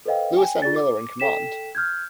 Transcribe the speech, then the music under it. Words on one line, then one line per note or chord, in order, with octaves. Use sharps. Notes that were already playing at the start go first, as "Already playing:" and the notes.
Louis N. Miller in command.
A4 B4 C5 D#5 F5 G5
G5 G#5
F4 G#4 D5 A6
D6
A4 G5 B6 E7
F6 G6 G#6